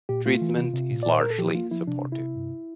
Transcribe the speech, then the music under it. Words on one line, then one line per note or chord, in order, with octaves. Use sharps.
Treatment is largely supportive.
A#2 G4
A3 F4
E3
C3
C3
A#2
A#2 D5
C5
A#2 A#4
A4
F3 G4
A#3 F4
F3 E4
C3 D4
C3
E4
C3
G2